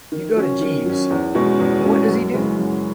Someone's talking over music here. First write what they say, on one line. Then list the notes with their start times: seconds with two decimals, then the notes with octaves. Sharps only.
You go to Jeeves, and what does he do?
0.12 D#3
0.36 F#3 C#4
0.61 D#3
0.86 F#3 C#4
1.10 E2
1.35 B2 G#3 C#4
1.59 E2
1.84 B2 G#3 C#4
2.09 F#2
2.33 C#3 E3 G#3
2.58 F#2